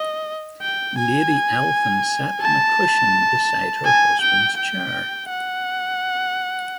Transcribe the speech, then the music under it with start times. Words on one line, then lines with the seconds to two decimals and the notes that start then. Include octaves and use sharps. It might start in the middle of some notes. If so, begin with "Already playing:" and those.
Lady Elphin sat on a cushion beside her husband's chair.
Already playing: D#5
0.62 G5
0.98 G#5
2.41 A5
3.85 G#5
4.21 G5
4.58 G5
5.30 F#5